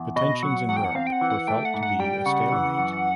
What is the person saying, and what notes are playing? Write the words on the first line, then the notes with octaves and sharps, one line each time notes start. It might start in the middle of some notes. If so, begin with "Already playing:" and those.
The tensions in Europe were felt to be a stalemate.
Already playing: E2
B2 D#5
F#3 F#5
E2 F#5
G5
F#5
C4 F5
G5
F#5
E3
F#5
A3 G5
F#5
G#2
F#5
G3 G5
C#3 F#5
E3
F#2